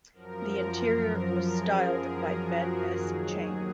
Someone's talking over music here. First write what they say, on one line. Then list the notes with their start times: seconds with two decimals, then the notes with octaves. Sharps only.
The interior was styled by Ben S. Chang.
0.14 F#2 F3 A#4
0.81 A#4
1.50 G#4
2.19 F#4
2.87 D#2 D#3 F#3 G#4